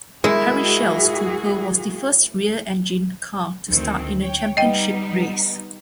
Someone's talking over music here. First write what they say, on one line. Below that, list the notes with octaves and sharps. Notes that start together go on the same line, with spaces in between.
Harry Schell's Cooper was the first rear-engined car to start in a championship race.
G#3 E4 F#4 G#4 A#4 E5
D2 D#3 C4
C#5 G5
G3 B3 D#4 D#5 G5